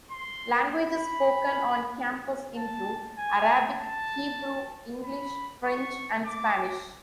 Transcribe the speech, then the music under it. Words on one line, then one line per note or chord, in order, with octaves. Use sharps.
Languages spoken on campus include Arabic, Hebrew, English, French, and Spanish.
C6
B5
A5
G#5
A5
B5
C#6
D6